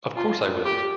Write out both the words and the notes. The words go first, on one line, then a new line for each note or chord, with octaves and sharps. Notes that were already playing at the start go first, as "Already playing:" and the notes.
Of course I will!
F4
G4